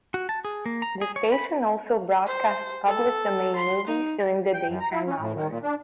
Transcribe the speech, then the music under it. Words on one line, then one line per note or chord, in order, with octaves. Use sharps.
The station also broadcast public domain movies during the daytime hours.
F#4
A5
G#4
A#3
A#5
G#4
C#5
B5
C5
A4
C6
D#4
G5
F#2
A#5
E4
C#4
A2
D#3
A#2
D4